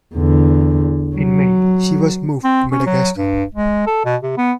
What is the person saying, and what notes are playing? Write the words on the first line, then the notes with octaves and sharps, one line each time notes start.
In May she was moved to Madagascar.
E2 D3
F#3
C4
C#4
F#3
G2
G#3
A4
B2
C3
B3